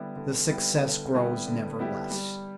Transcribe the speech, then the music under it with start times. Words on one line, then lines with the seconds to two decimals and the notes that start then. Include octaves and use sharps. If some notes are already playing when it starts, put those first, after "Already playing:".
The success grows never less.
Already playing: D3 G3 B3 E4 G4
0.16 D3
0.49 G3 B3 E4 G4
0.81 D3
1.14 G3 B3 E4 G4
1.47 D3
1.79 G3 B3 E4 G4
2.11 G3